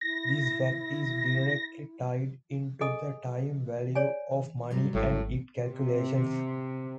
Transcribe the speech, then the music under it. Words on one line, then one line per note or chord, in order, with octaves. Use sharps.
This fact is directly tied into the time value of money and its calculations.
E4 A#6
G#4 A4 D#5 G#5 D#6
C#5 D5 G#5
G#2 F#3 G3
G#1 A2
C3